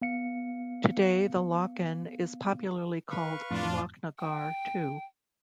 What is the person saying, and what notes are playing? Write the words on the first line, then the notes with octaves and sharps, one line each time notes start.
Today the lochan is popularly called Lochnagar too.
B3 F5 C#7
B4 F5 C#6
F2 A2 D4 F4
G5